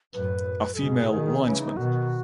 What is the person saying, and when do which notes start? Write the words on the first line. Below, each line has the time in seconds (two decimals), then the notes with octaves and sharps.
A female linesman.
0.14 F#2 A2 B4
0.74 A4
0.79 G#2 B2 G#4
1.12 B2 D#3
1.44 C#3 E3 C#4
1.60 D#4
1.76 B2 D#3 F#4